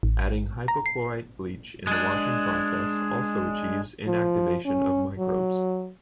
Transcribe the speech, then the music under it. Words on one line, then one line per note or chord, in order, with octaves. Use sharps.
Adding hypochlorite bleach in the washing process also achieves inactivation of microbes.
A1
A#5
C7
G#3 D4
F3
C#4
F#3